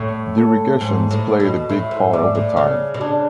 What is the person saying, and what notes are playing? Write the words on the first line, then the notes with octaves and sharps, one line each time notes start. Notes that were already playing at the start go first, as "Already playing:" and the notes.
The irrigations played a big part over time.
Already playing: A2 C#5 E5
A4
G#2
A2
B2
A2 E5
G#2
G#2 D5
A2
C#3
B2
C#3 D4